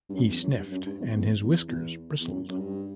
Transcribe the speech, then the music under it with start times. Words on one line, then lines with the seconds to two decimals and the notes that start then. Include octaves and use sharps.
He sniffed, and his whiskers bristled.
0.09 G2
0.14 F#2
0.29 E2
0.43 F#2
0.57 G2
0.71 F#2
0.86 G2
1.00 E2
1.14 E2
1.43 E2
1.68 E2
2.20 E2
2.29 F#2
2.49 F#2
2.58 G2